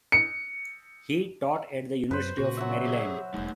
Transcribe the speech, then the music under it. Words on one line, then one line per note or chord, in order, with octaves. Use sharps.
He taught at the University of Maryland.
C#7
F#2 B4 C5
A#2 C#3 F#4
F#3 E5
G4 G#4
E1 G3 A3 D#4